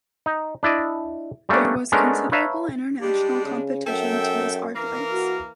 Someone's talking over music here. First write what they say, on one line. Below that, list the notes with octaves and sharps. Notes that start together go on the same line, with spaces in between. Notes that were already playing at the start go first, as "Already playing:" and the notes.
There was considerable international competition to his arc lights.
D#4
D4 E4 D5 D#5
G3 A3 A#3 C#4 D4
G#3 A3 B3 C#4 D4 A#4
B4 C#5 E5 F5 A5 A#5
G3 G#3 D4 G4
C#3
F#2 A4 E5 G5
E3 A#3 A#4
F#4